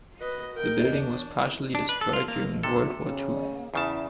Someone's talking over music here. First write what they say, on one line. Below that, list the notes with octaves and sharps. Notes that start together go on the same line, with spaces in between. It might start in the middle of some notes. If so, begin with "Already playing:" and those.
The building was partially destroyed during World War ll.
B4 D#5
A#4 G5
D4
D4
B4
A4
F4
A#3
D2 C3 A4
C#3
E2 C#3 E4 A5